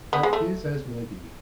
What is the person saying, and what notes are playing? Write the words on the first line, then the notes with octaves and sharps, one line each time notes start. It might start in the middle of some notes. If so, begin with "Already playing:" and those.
"That is as may be."
B3
G#3
A3